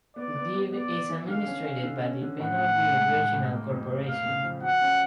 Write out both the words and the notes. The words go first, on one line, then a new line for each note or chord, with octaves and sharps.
Debe is administered by the Penal-Debe Regional Corporation.
B3 D5
B3
B3
B3 D5
B3
E3
D3 F5
C#4
C#4
D3
C#4
D3
A2 F#5
A2
A2
G#3
A2
A2
A#3
F2
A#3
A#3 F5
C#3
F3
F#3 F#5
C#4